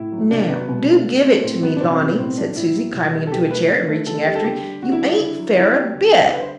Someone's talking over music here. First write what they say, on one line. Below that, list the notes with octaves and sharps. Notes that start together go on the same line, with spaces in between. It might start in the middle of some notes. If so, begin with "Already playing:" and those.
"Now, do give it to me, Lonnie," said Susy, climbing into a chair, and reaching after it; "you ain't fair a bit."
Already playing: A2 E4
F#3
C3 D4
F#3 B3
B2 B3
A3
D3
A3
A2 C4
F#3 B3
D4
B2 C4
C4
G3
B3
A2 C4
E3 D4
A2 E4
F#3
B2
G3
A4
B2 G4
A3 B4
D3
A3
D3 A4
G3 G4
A4
D3 G4
G3
D3 F#4
E4
G3 D4
E4
D3
F#3
D3 E4
F#3 G4
D3
G3
D3 B4
C5